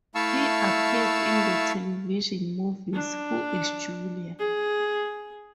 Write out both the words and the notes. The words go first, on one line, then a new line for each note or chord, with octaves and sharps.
He appeared in the television movies Who is Julia?
A3 E4 F5 A5 C#6 E6
D4
G#4